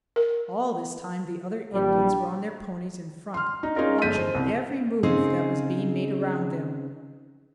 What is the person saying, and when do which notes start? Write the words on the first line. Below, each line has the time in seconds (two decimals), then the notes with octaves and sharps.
All this time the other Indians were on their ponies in front, watching every move that was being made around them.
0.16 A#4
1.72 A#1 G3
3.34 C6 F6
3.63 D#4
3.76 C#4 D#4 F4 G#4 A#4
4.02 G1 G#3 A4 G6 B6 D#7
4.16 C5
4.34 C2
5.03 C#3 C4 D#4 G#4